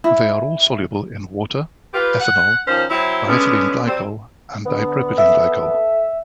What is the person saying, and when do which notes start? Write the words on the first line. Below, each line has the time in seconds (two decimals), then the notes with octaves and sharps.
They are all soluble in water, ethanol, diethylene glycol and dipropylene glycol.
0.04 E4
1.93 F4 G4 B4
2.20 F#5
2.67 D#3 F3 C#4 C5
2.90 F#3 C4 E4
3.28 D3 G#3 B3 C#4
3.86 F#3 G3 C4
4.66 D3 B3
5.18 A4 E5